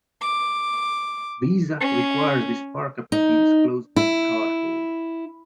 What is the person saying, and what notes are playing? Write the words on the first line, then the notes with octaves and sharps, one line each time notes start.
Visa requires this markup be disclosed to the cardholder.
D6
C#4
D#4
E4